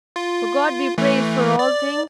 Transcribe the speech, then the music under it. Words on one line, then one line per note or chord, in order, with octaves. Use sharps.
But God be praised for all things!
F4
E3 A3
D5